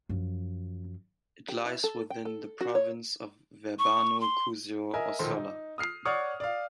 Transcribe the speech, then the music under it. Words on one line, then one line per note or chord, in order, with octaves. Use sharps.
It lies within the Province of Verbano-Cusio-Ossola.
F#2 F3
G4
E4
A4
G5
A4
F#4
C#5
C#6
C6
A#4 D#5 E5 G#5
E1 A#1 D#3 A4 C5
D#4
D#6 F6 C7
C#5 D5 F#5 C#6 D#6 F6
D5 F5